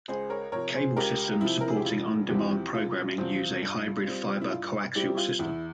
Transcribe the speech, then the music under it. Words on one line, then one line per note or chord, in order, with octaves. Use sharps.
Cable systems supporting on-demand programming use a hybrid fiber-coaxial system.
C#2 G#4 C5
A#4 C#5
C3 F3 A#4 C#5
G#4 C5
C#2 G4 A#4
C3 F3 E4
A#4
G#4
G4
E1 F4
E2 C3 F3 C4 E4 G4
E1 F4
E2 C3 F3 C4
G2
G3 C4
E4
G2 F4
G3 C4 E4 G4
F4
E2 E4